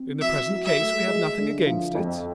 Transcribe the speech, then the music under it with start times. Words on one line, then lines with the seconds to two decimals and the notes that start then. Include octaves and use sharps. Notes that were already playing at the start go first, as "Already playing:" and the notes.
"In the present case we have nothing against it."
Already playing: C4
0.21 F#3 E5
0.51 F#3
0.65 E5
0.79 A3
1.08 G#3
1.38 D3
1.66 F3
1.95 F2